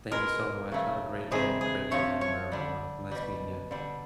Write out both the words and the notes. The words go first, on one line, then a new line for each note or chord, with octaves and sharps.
Thank you so much, have a great day, great evening wherever you are. Nice meeting you.
B2 G#3 A#4
C#3 F#3 A3
C3 D#3 G3 G#4
G#4
C3 F3 A3 C#5
C#5
D3 G3
B2 G3
D3 G3